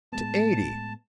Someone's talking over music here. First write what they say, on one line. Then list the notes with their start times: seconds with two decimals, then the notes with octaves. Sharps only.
To eighty! ...
0.13 A2 G#3 B3 A5